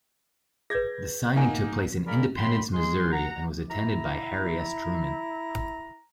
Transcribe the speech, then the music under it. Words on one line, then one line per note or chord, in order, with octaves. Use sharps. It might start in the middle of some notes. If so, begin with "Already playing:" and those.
The signing took place in Independence, Missouri and was attended by Harry S. Truman.
G#4 B4 G6 G#6 A#6
A#3 D#4 F5 F#5 G#5
G#3 G#4 A#4 D5 F5 B5
F#2 G5 B5 C6
G#3 C6
F#5 A#5
E4 A#5